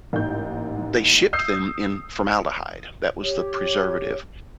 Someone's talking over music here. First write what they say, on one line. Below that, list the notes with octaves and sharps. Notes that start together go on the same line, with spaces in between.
n they shipped them in formaldehyde, that was the preservative
A1 G#2 A#3 G6
D#6 E6 G6 C7
G4 C#5